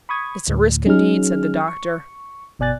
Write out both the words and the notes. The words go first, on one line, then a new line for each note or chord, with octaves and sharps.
"It's a risk indeed," said the doctor.
B5 C#6 D#6 G#6
D2 A2
F#3 C#4 D#4 G#4 F6
C#6
G1 B2 D5 G#5 F#6 A6